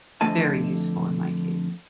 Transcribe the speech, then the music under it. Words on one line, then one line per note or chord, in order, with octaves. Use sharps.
very useful, in my case.
F2 D3 A3 D#5 G#5 A5